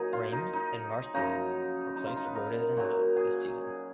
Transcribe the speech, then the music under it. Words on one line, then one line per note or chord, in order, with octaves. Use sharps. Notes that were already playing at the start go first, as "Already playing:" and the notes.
Reims and Marseille replaced Rodez and Lille this season.
Already playing: A#2 F#3 D#4 G#4
F4
D#4
D#4
F#2 C#3 F3 D#4
D#4
F4
D#4
B4
A#4
A#2 F#3
G#4